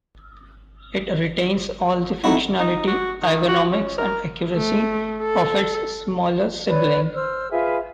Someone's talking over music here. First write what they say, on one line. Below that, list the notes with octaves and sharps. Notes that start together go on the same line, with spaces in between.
It retains all the functionality, ergonomics and accuracy of its smaller sibling.
A3 C4 D#4 E4 F#4
D#4
F#4
D#3
F#4
C#4
A#4
A3
A4
B4 C#5 D5
C5 E6 F6
F4 G#4 B4 E5